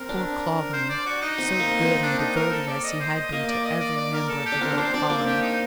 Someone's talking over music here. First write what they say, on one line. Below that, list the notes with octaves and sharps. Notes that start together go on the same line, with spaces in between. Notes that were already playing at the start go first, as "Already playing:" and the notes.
Poor Clawbonny, so good and devoted as he had been to every member of the little colony!
Already playing: C4 A#4
D4
C5
D5
F#4
D#4
C4
A#3
C4
D4
D#4
A#4
A4
D5
D#5
C5
D#5
A#3 D#5
D5
D#5
D5
D5
A#4
A4
G4
D4
C4 A#4
D4 C5
C4 D5
A#3 D5
G4
D#4